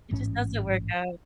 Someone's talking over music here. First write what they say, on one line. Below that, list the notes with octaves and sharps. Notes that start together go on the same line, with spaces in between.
it just doesn't work out.
A1 G#2 C#4